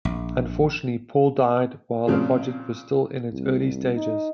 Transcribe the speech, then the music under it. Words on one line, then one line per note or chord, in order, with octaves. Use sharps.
Unfortunately, Paul died while the project was still in its early stages.
A#1
A#2 C#3 F3 C4 G#4
C2
D#4